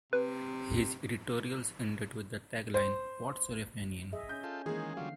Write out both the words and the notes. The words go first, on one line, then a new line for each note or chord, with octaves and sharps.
His editorials ended with the tagline What's your opinion?
C3 B4
C5
G#4 D#5 E5
C#4 G6
F4 A4
D#3 E3 G#3 A#3 G#4
D3 F#3 G3 F4 F5